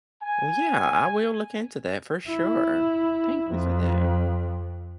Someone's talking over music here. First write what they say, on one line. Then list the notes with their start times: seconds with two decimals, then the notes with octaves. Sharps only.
Well, yeah, I will look into that, for sure. Thank you for that.
0.22 G#5
2.27 E4
3.50 F2